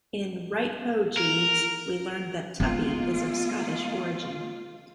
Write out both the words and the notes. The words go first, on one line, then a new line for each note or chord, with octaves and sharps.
In "Right Ho, Jeeves", we learn that Tuppy is of Scottish origin.
A#4
G#3 A#3 B3 F4